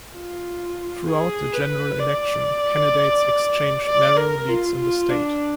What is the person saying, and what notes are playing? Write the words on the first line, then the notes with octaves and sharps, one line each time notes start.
Throughout the general election, candidates exchanged narrow leads in the state.
F4
G#4
B4
D5
D5
A#4
F4
F4
D4